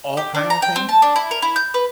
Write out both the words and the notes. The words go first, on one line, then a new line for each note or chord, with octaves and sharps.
all kinda things?
G4
D4
A#5
G5
C4
A5
D4
E4
A#4
E4
G6
B4